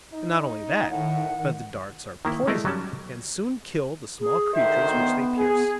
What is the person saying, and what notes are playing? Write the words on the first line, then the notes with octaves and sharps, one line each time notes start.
Not only that, but the darts are poisoned, and soon kill the small creatures which they pierce.
D#4
A2 D#3 F#5
D#3 A#3 E4
G#3 A3 E4 A#4 D5 D#5
F#3 G3 C#4 A5
G#4
D2 D#3 C5 E5
B3
G#4